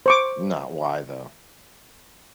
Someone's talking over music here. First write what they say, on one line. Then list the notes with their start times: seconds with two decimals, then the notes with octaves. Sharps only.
Not why though
0.06 C5 C#6 D6